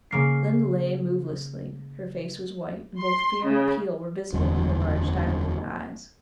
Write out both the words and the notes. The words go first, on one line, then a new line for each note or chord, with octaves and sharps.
Lynde lay movelessly; her face was white, and both fear and appeal were visible in her large dilated eyes.
C#3 A#3 C7
C6
C#3
F#1 E2 D3 G3